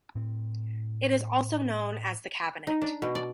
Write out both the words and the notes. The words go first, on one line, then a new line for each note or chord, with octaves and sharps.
It is also known as the cabinet.
A2 C4
D#4
D4
B2
D5